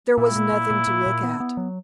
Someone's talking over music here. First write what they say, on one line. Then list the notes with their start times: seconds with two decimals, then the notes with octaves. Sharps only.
There was nothing to look at.
0.18 A#2 E4
0.36 A#2
0.52 A#2
0.70 A#2
0.87 A#2
1.06 A#2
1.23 B3
1.40 B3
1.57 F#3